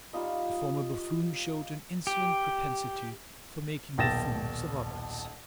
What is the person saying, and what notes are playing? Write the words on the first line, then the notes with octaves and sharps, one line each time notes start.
The former buffoon showed an insolent propensity for making buffoons of others.
G3 D#4 F4 D#5
G4
D#1 B1 G5 A6 A#6 E7